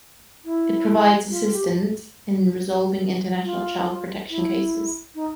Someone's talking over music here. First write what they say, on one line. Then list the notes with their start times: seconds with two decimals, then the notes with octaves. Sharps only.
It provides assistance in resolving international child protection cases.
0.45 E4
1.30 F4
1.52 G4
3.44 F4
4.30 E4
5.15 D#4